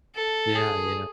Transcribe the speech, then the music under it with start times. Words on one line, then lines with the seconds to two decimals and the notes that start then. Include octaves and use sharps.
Yeah, yeah.
0.16 A4
0.55 G#4